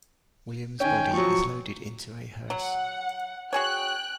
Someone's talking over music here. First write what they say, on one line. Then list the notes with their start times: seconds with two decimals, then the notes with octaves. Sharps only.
Williams' body is loaded into a hearse.
0.80 D#3 C#4 G5 G#5
1.13 F3 F#3 C#6
2.50 F#3 F#5
3.53 F#4 G#4 C#5 G5 F#6